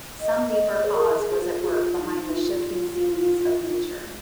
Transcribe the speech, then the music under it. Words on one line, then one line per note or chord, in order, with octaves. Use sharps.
Some deeper cause was at work behind the shifting scenes of nature.
D#5
D#5
D#5
G#4
A#4
G#4
F4
G#4
F4
D#4
F4